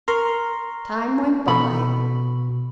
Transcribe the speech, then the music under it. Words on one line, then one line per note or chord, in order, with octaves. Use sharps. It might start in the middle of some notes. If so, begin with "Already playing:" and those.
Time went by.
A#4 A#5 C6 C#6
B2 A4 B5 C#6